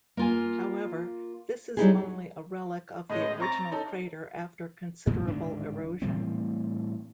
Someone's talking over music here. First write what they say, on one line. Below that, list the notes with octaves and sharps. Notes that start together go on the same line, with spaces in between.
However, this is only a relic of the original crater after considerable erosion.
A#3 F4 G#5
F#3 G3 D#4 E4 G4 G#4
A2 G#3 C#4 D#5
C4 A#5 C#6 A6
C#4 D#4 A4
G2 B2 E3
D1 G#2 D#3 D4
A2 E3 G3 C4